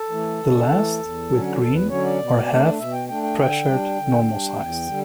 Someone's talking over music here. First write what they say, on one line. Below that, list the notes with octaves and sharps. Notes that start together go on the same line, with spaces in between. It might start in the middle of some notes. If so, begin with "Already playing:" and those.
The last, with green, are half pressured normal sized.
Already playing: A4
E3 A3
C#3
E3 A3
E2
D3 F#3 C#4
E2 A4
B4
D3 F#3 C#4 C#5
D5
B2
A3 D4
B2 E5
G5
A3 D4 G5
G5
D3 G5
G3 D4
D3
G3 D4
E2
D3 G3